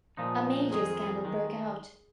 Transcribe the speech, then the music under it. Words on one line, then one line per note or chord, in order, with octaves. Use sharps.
A major scandal broke out.
A#2 F3 G#3 D#4
F2 D#3 G#3 G#4
D#3 G#3